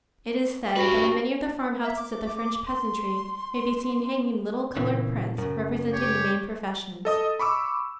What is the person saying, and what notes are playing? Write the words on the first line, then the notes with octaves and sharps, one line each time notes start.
It is said that in many of the farmhouses of the French peasantry may be seen hanging little colored prints representing the main professions.
F#4 G4 B4
E5
D6
C6
A#2 C#3 E3 A#3 B3
F#2 C#3 A#4
G4 C#5
A4 D#5 D#6
B5 C#6 D6 E6